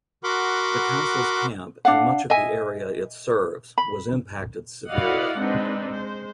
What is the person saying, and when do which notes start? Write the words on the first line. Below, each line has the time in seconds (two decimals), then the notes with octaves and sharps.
The Council's camp, and much of the area it serves, was impacted severely.
0.24 F#4 A#4 F#5 B5 C6 D6
1.85 D4 F5 F#5
2.30 D#5 E5 G#5
3.78 B5
4.89 E4 F#4 D5 D#5 F5 F#5
5.37 G#3 C4 D4 D#4 B4
5.88 G#3 C5